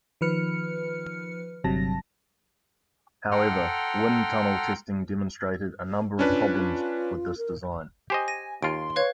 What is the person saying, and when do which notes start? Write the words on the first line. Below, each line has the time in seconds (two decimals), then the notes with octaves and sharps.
However, wind tunnel testing demonstrated a number of problems with this design.
0.21 D#3 F3 B4 F6 C#7
1.64 G1 G2 C3 F#3 A5 A#6
3.31 A4 F#5 G5 A#5 C6 F6
6.19 C#4 D4 F4 B4
7.38 A#4
8.10 G4 C5 D#5 G#5
8.28 A#6 D#7
8.63 D#2 F4 C6 D7
8.96 B4 C#5 F5 G#6